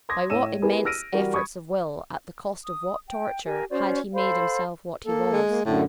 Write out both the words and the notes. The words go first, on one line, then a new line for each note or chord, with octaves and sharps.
By what immense efforts of will, at the cost of what torture, had he made himself what he was?
C6 D6 D#6 G#6 A#6
A2 C#5 E6 D#7 E7
B3 E4 G4 G#4 A#4 B4
E6 F6 A#6 D7 D#7
E3 G3 F#4 A#4
B5 C#6 D#6 G#6
D#6
G5
G4 A#4 G#5
C#4 F#4 C5 D5
A4 C5 F5 B5
A#3 A4
G#3
A#3
F#2 A2 D3